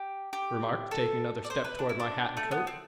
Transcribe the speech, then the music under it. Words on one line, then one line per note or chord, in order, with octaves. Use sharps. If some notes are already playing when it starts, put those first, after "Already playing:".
I remarked, taking another step toward my hat and coat.
Already playing: G4
G4
A4
D5
C5
B4
D4
E4
D4
A3
B3
C4